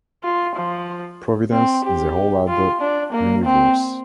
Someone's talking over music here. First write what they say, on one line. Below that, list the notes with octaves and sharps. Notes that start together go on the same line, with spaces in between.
Providence is a whole other universe.
F4
F3
C4
G4
F4
D4
A#3
C4